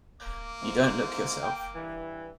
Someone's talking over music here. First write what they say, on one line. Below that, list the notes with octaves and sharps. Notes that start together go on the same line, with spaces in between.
You don't look yourself.
A#3 D6
G#2 C4 E4
G5
G2 E3